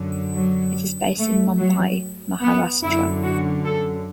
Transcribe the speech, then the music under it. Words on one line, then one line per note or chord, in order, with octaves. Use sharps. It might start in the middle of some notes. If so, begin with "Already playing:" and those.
It is based in Mumbai, Maharashtra.
Already playing: F#2 D3
F#3
A3
F#3
B3
F#2 D3 E4
F#4
A4